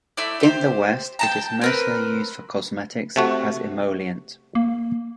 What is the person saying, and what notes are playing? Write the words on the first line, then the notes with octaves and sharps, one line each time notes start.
In the West it is mostly used for cosmetics as emollient.
A3 E4 D5
G4 C5
G5 A5 A#5
C4 A#4 B4
C3 A3 F#4
A#3